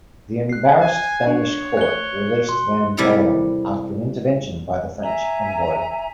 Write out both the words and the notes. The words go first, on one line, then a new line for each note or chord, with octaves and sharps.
The embarrassed Danish court released Van Galen after an intervention by the French envoy.
F#6 C7
G#5
D4 C#5
A3 F#6 C#7 G7
B2 C6
C3 G3 E4 A4 A#4 A#5
E5 G#5 A#5